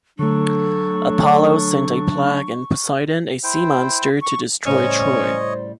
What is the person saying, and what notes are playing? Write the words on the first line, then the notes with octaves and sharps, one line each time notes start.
Apollo sent a plague and Poseidon a sea monster to destroy Troy.
D3 F#3 A3 D4 A4 C#6
E4 C5 G5
C#6
A2 C#3 G3 C#4 C5 C#5 D#5